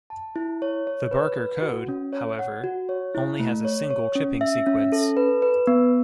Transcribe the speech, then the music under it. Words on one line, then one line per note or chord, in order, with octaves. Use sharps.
The Barker code, however, only has a single chipping sequence.
A5
E4
C#5
C#5
B4
B4
F#4
C#4
C#5
F#5
F#4
C#5
E4
A3
C#5
C#5
C#4
E5
C#4
A4
B4
B4
B3